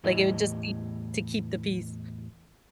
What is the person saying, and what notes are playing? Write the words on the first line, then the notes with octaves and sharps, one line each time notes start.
Like it would just be to keep the peace.
E2 A2 E4 G4 D#5